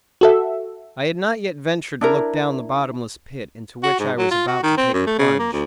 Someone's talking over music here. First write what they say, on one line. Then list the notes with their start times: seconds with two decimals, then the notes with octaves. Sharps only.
I had not yet ventured to look down the bottomless pit into which I was about to take a plunge.
0.21 F#4 A4 E5
2.01 D4 E4 A#4
3.83 F#4
4.00 G#2
4.18 F#3
4.31 F4
4.48 F#4
4.63 D#3
4.77 C4
4.93 F#2
5.07 A3
5.19 C#3
5.39 A#3
5.53 D2